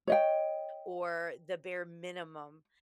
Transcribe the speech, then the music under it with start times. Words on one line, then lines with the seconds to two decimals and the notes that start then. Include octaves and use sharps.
or the bare minimum.
0.07 C#5 D#5 G5